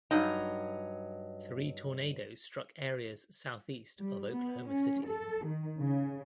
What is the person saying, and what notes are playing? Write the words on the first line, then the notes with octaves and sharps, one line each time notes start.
Three tornadoes struck areas southeast of Oklahoma City.
G2 F#3 D#4
G3
B3
C#4
A4
D#3
C#3